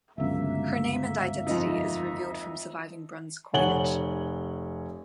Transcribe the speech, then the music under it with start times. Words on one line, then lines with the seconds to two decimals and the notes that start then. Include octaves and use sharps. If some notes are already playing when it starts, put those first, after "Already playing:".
Her name and identity is revealed from surviving bronze coinage.
0.18 G1 C#2 F#2 A#3 E5
1.47 F2 F3 D#4
3.54 F1 C#5 F#5 G#5 F#7 G7